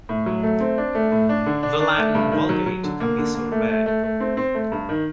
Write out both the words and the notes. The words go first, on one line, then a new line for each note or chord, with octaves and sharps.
The Latin Vulgate can be so read.
A2
F#3
A3
C4
D4
A3
A2
D4
D3
D4
D4
A3
G2
D#3
F#3
F#3
D3
A#3
D3
A#3
A3
A3
A3
A3
C4
C4
A3
G2
D#3